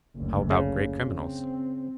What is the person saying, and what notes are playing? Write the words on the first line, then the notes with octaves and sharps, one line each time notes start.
"How about great criminals?"
F#1 D2
C#3
C4